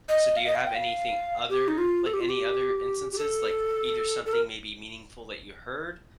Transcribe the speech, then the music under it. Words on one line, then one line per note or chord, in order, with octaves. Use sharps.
So, do you have anything other like, any other instances, like, either something maybe meaningful that you heard,
D#5
F5
D#5
F5
G5
F5
G4
D#4
F4
A4
G4
F4
G4
G4
A4
A4
A#4